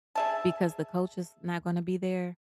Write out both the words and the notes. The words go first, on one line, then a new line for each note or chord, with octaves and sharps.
Because the coach is not gonna be there?
G#4 E5 A5